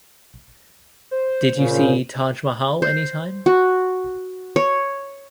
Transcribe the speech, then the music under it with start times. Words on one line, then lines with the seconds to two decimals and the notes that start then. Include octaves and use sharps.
Did you see Taj Mahal anytime?
1.11 C5
1.57 A#2 C#3
2.82 C5
3.46 F#4
4.56 C#5